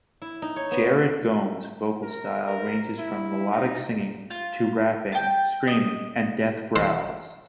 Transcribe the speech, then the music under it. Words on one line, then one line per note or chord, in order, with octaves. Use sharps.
Jared Gomes' vocal style ranges from melodic singing to rapping, screaming, and death growls.
E4
D#4
C#5
B3
A#4
A#4
E4
D#4
F4
G5 A5
D#5
C5